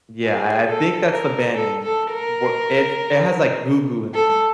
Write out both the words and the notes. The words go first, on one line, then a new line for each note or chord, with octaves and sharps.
Yeah, I I think that's the band name. W it's it has, like, Goo Goo in the name.
G#4
A4
A#4
A4
A4
A#4
A4